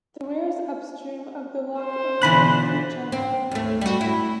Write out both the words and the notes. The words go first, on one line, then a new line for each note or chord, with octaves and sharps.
The weir is upstream of the lock and in the mid-channel.
C5
B2 D3 E3 E4 F4 B5 F#6
C4
D#2 A3
G3 F#4
E4